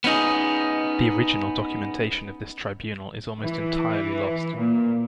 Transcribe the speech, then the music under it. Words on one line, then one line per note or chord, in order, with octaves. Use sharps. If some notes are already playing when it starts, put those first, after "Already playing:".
The original documentation of this tribunal is almost entirely lost.
B3 C#4 D#4 G#4
E3
A#2